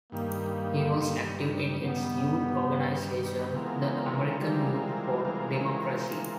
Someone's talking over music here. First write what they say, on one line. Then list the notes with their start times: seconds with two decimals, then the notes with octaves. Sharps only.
He was active in its youth organization the American Youth for Democracy.
0.12 G2 D#3 G3 A#3
0.98 G2 D#3 G3
1.83 G2 D#3 G3 B3
2.69 G2 D#3 G3
3.54 E3 G#3 B3 C4 F4 A#4
4.39 E3 G3 G#3 C4 F4 A#4
4.82 G3
5.25 E3 G#3 C4 F4 A#4
6.10 E3 G#3 C4 F4 A#4